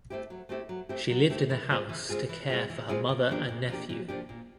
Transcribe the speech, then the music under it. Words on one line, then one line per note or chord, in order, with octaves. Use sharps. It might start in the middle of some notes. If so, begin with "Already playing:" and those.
She lived in the house to care for her mother and nephew.
A3 C4 E4 G4
F#3
A3 C4 E4 G4
F#3
A3 C4 E4 G4
F#3
A3 C4 E4 G4
E3
G#3 C4 F4 G#4
E3
G#3 C4 F4 G#4
E3
G#3 C4 F4 G#4
E3
G#3 C4 F4 G#4
A#2
F3 A#3 D4 G4
A#2
F3 A#3 D4 G4
A#2
F3 A#3 D4 G4
A#2